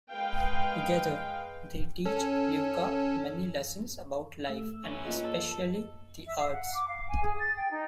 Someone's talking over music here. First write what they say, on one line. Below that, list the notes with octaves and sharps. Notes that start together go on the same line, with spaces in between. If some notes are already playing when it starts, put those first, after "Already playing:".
Together, they teach Luca many lessons about life and especially the arts.
G#3 B4 F5 G5
C#4 A4
A3 E6
E3 C#4
A#3 F4 G#4 D#5
A4
E5
F5
F#5
D6
F5
G#5
G#4
A6
G5
D#4